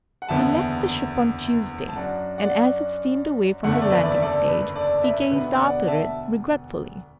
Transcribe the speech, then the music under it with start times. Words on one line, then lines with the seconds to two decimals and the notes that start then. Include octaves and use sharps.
He left the ship on Tuesday, and as it steamed away from the landing-stage he gazed after it regretfully.
0.22 F#5
0.28 F#1 E2 D3 B3 E5 A5
1.88 A5
1.96 F#2 F#3 D4 D5 F#5
2.38 D5 F#5
3.64 F#1 E2 D3 A3 F#5
3.72 E5
3.82 D5
3.91 B4 E5
4.05 D5
4.14 E5
4.22 A4 D5
4.48 B4
4.76 A4 D5
5.03 B4 E5
5.31 E1 D2 D3 B3 B4 E5
5.59 D5 F#5
5.87 E5 A5